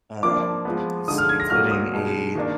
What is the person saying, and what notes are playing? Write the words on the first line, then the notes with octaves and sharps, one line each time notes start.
um, s including a,
F3 A#3 D4 D6
F3 G#3 B3
D3 F3 G#3 D#4 D#6
F6
G#6
A#6
A#2 F#3 A#3 F6
D#6
B2 G#3 D#4
D#3 A#3 D4